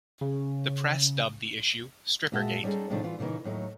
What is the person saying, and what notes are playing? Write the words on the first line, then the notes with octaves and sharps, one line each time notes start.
The press dubbed the issue "Strippergate".
C#3
A#2 G#3 F#4 E5 A5
G3 C#4 D#4 G#4 A4
A2 C3 D#3 F3 A3 D4
E3 F4
A#2 C#3 E3 A#3 D#4
D#2 A2 F#3 D#4